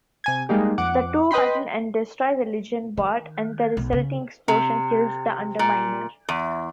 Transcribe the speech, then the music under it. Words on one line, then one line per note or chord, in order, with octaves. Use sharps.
The two battle and destroy the Gilgenbot, and the resulting explosion kills the Underminer.
C3 G#5 G#6
G3 G#3 A#3 D#4 G4
F2 F#5 D6
B4 D#5 G5 B5 C6
D#3
B1
C#3
C3
A#2
E2